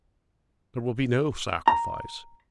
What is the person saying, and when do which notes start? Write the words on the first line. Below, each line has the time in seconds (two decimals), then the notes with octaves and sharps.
There will be no sacrifice.
1.68 A#5